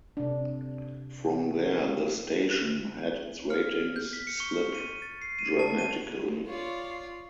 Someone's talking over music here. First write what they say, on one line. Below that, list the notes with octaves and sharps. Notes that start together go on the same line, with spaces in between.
From there, the station had its ratings slip dramatically.
C3 D4
F6
G6
B6
C#7
C#6
D#7
A6
C7
D#7
A5
D#7
F4 C#5 D5